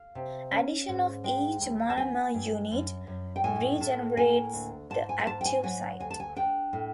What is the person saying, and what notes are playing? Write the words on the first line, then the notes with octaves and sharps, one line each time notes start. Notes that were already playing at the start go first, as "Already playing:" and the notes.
Addition of each monomer unit regenerates the active site.
Already playing: F5
C3
C#4
G#2
G#3 G5
D#2
A5
B3 G#5
G2
F#2
F#2
G5
A2 G#5
A2 A5
A#3 G#5
D2
G#2 A5
G#5
G#5
G#2 A5
G5
G#5
F#3 G#5
D2 G#5
A5
G#5
D4 G5
A2